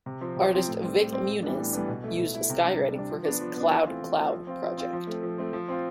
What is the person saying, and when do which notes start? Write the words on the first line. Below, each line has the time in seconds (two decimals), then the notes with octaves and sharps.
Artist Vik Muniz used skywriting for his "cloud cloud" project.
0.06 C3
0.21 F3 C4
0.36 C3
0.52 F3 C4
0.67 A2
0.82 G3 C4
0.97 A2
1.12 G3 C4
1.27 A2
1.43 E3 G3 B3 D4
1.58 A2
1.73 E3 G3 B3 D4
1.88 B2
2.04 A3 E4
2.19 B2
2.34 A3 E4
2.50 C3
2.65 G3 D4
2.80 C3
2.95 G3 D4
3.10 F3
3.25 B3 D4
3.40 F3
3.56 B3 D4
3.71 E3
3.86 A3 C4 F4
4.01 E3
4.17 A3 C4 F4
4.32 F3
4.47 C4 F4
4.62 F3
4.78 C4 F4
4.93 F3
5.07 A3 C4
5.23 F3
5.38 A3 C4
5.53 F3
5.68 C4 F4